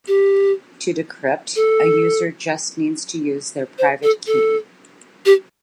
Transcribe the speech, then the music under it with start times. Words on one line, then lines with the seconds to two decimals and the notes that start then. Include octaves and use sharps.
To decrypt, a user just needs to use their private key.
0.08 G4
1.56 A4
3.78 C5
4.03 A4
4.27 A4
5.26 G4